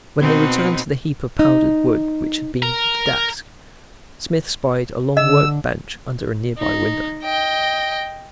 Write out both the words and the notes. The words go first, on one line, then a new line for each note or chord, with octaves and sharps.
When they returned to the heap of powdered wood which had been the desk, Smith spied a long work-bench under a nearby window.
B2 C4 D#4 F#4
D#4
A#4
D3 D#5 E6
D#4
D#5 G5